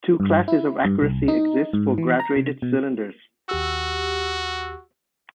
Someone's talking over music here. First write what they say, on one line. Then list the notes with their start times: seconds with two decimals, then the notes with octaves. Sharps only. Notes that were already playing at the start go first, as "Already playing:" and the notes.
Two classes of accuracy exist for graduated cylinders.
0.20 G2
0.48 E4
0.85 G2
1.02 C2
1.28 D#4
1.73 G#2
1.98 E3
2.20 A#5
2.36 C3
2.62 B2
3.49 D#2 F#4 G4 E6